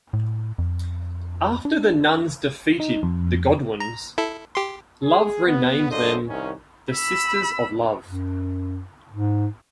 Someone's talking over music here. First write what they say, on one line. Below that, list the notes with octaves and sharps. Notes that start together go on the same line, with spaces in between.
After the Nuns defeated The Godwinns, Love renamed them the Sisters of Love.
A2
F2
D4
D#4
F2
A#5
E4 A4
G4 C6
G#4
B3
C#2 F#2 D4 A4 C5 D#5
C2 D#3 C#4
B5 E6
F#2
G#2